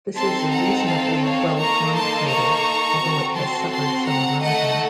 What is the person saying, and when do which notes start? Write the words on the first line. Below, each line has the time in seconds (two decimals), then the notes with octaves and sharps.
This is a reasonably well-formed crater, although it has suffered some erosion.
0.17 C4 D#4 A4 A5 C6
0.52 F#5 A#5
0.87 F5 A5
1.23 C#5 F5
1.58 A#3 D#4 A4 A#5 C#6
1.94 A5 C6
2.30 A#5 C#6
3.00 C4 F#4 A4
3.36 A5 C6
3.71 A5 C6
4.07 F#5 A#5
4.43 A3 D#4 A4 D#5 F#5